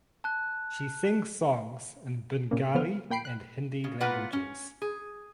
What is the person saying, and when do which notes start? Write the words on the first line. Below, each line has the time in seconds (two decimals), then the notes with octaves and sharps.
She sings songs in Bengali and Hindi languages.
0.24 A5 F#6
2.51 A#2 C#3 A#3
2.75 F3 B3 C5 F6
3.10 A#2 G5 B5 C7 D7
3.25 F#6
3.84 C#3
4.00 A#3 B3 F4 B4 F#5
4.33 C#4
4.82 G#4